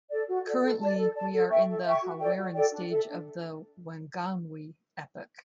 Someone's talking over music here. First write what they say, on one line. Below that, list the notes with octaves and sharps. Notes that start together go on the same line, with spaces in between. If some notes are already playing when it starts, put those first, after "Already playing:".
Currently, we are in the Haweran stage of the Wanganui epoch.
A4 D5
F#4
A4 D5
A4
D5 A5
A4
D5 A5
A4
E5 G5 C#6
A4
E5 G5 C#6
F#4
A4 D5 G5
F#4
A4 D5 G5
D4
A4 E5
D4